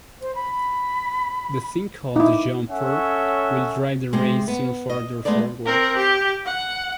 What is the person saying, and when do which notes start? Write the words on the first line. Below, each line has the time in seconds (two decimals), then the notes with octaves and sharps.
The thing called the jumper will drive the ray still farther forward.
0.21 C5
0.35 B5
2.16 D#4 E4 D6
2.70 C#4 A4 C#5 E5 F#5
4.13 C3 G#3
4.48 B3
4.90 D#5
5.25 G#3 A3 B3 D5
5.66 C4 A#4
5.97 G4
6.45 F#5